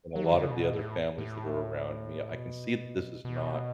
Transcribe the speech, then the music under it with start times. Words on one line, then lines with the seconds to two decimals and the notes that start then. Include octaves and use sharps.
in a lot of the other families that are around me. I can see that this is not
0.16 F#3
0.24 E3
0.33 D3
0.42 C#3
0.50 B2
0.73 A2
1.18 A2
2.33 B2
3.25 B2